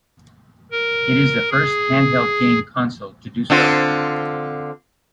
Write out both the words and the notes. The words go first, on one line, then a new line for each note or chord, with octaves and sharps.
It is the first handheld game console to do so.
A#4
G#4
D3 C4 F4